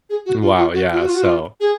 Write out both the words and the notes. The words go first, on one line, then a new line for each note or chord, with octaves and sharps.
Mm, wow, yeah, so,
G#4
F#4
F4
F4
F#4
F4
F#4
F4
F#4
F4
G#4